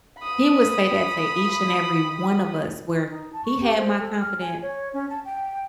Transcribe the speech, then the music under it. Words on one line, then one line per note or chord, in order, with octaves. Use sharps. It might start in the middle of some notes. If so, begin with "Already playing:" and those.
He would say that to each and every one of us where he had my confidence
B5 D#6
D#4
A5
C#6
G4
C5
A4
F6
G#5
C#5
C#4
A5
G5